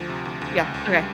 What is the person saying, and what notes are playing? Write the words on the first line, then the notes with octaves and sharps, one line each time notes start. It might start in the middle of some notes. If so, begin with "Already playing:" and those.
Yeah, okay.
Already playing: D2 F3
C3
D2
D2
C#2
C#2
G3